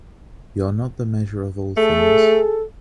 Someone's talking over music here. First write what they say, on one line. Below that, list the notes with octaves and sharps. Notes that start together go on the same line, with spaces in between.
You're not the measure of all things.
A3 G#4 A4